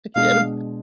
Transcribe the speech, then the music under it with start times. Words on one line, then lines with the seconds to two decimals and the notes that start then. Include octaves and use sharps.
I can't
0.15 B2 G#3 D4 G#4 F5